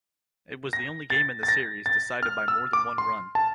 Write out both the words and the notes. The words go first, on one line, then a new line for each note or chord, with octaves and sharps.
It was the only game in the Series decided by more than one run.
A#6
A6
A6
A#6
A6
F6
E6
D6
C6
A5